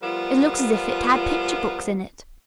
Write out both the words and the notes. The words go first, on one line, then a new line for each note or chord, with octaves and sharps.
"It looks as if it had picture-books in it."
F3 G3 B3 F4 A#4